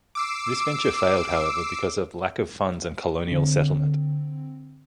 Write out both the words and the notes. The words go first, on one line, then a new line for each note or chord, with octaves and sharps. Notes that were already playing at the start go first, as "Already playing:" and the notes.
This venture failed, however, because of lack of funds and colonial settlement.
D6 E6 C7
D3 C4